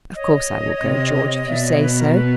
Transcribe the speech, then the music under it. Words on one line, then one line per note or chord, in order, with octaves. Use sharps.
Of course I will go, George, if you say so.
C#5 D#5
C3
B2 D5 E5
C#5 D#5
B4
A#4
B4